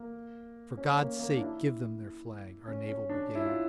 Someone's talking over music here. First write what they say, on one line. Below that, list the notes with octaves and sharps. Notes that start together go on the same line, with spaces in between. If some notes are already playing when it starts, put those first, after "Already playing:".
For God's sake give them their flag, our Naval Brigade!
Already playing: A#3
C#4
A#3
A#3
D4
E4
C#4
C#4
D4
E4
F4